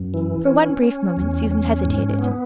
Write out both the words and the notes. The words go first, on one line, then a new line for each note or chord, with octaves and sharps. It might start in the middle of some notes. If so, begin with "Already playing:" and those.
For one brief moment Susan hesitated.
Already playing: F#2
E3
C#4
C#4
E2
C#4
G#2
B3